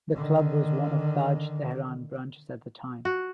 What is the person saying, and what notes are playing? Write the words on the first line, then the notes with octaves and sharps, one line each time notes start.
The club was one of Taj Tehran branches at the time.
D3 D#3
F#4